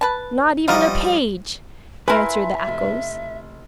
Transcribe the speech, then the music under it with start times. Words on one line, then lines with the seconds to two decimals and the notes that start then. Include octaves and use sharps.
'Not even a page!' answered the echoes.
0.01 B4 A5
0.68 F3 G3 D#4 F4 F#4 D#5
2.08 E4 A#4 B4 E5 G#5 A5 C6
2.67 F1